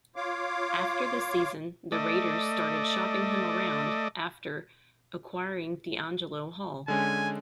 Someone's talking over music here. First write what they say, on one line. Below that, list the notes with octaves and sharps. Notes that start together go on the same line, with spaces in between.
After the season, the Raiders started shopping him around after acquiring DeAngelo Hall.
F4 C#5 F5 D6
A3 D5 D#5
D3 G#3 C#4 G#5